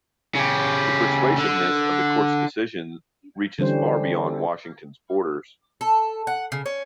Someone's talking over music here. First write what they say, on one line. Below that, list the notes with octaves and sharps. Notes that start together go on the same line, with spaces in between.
The persuasiveness of the Court's decisions reaches far beyond Washington's borders.
C#3 G4
D3
D3 E3 G3 C#4 C5
A4
F#5
C#3
C#4